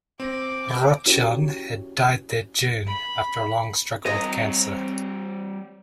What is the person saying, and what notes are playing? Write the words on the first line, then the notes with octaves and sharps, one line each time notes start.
Rochon had died that June after a long struggle with cancer.
C4 D6 A#6
C#4 E4 F#4 G4 A#4 C#5
B5
G3 C4 C#5 D#5 A#5